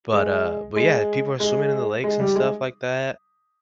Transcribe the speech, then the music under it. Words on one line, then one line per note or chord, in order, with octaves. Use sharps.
but, uh but yeah, people are swimming in the lakes and stuff like that.
G#3
G#3
G#3
G#3
G3
G#3